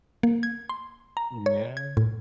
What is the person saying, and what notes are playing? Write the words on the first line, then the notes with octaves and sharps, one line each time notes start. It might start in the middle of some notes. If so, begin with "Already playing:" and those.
Mm, yeah.
A#3
G#6
C6
A#5
C#5
G#6
A2